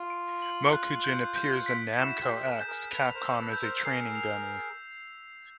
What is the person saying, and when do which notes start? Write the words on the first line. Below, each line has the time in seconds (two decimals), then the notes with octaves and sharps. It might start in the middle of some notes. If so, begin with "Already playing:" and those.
Mokujin appears in Namco x Capcom as a training dummy.
Already playing: F4
0.10 D7
0.42 F#7
0.73 F#6
1.04 G6
1.36 G6
1.66 B6
1.98 E4 F#4 E7
2.21 F4 G4
2.29 G6
2.44 G#4 A#4
2.61 G6
2.67 G#4 A#4
2.91 A4 B4 F7
3.14 A#4 C5
3.23 E6
3.37 A4 B4
3.53 G6
3.61 A#4 C5
3.84 G#4 A#4 C7
4.15 F7